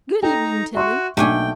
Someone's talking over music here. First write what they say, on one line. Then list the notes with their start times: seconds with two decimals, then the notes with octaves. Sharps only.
Good evening, Tilly!
0.23 D#4 A4 G5 A#5
0.75 F#4 E5 C6 C#6
1.17 B1 A3 A#3 D4 G5 G#5